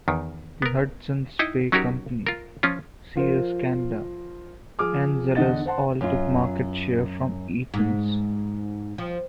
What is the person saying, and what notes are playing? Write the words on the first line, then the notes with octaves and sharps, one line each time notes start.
The Hudson's Bay Company, Sears Canada, and Zellers all took market share from Eaton's.
E2 D#3
B3 A#4
D#4 E4 D#5 G5
F#3 C#4 D#4 F#4 G4 A#4
F4 A#4
F3 C#4 F4
F3 F4 A#4 C5
F3 G#4 D6 F6
E2 D3 D4 D#5 F#5 A6
C5 F#5 A5 C6
F#2 F4
G#2
F3